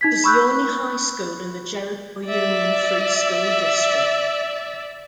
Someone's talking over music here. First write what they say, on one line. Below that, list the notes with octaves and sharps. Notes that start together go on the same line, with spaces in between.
It is the only high school in the Jericho Union Free School District.
D#4 G#6 B6
B5 C#6 E6 F#6 G6
D5 E5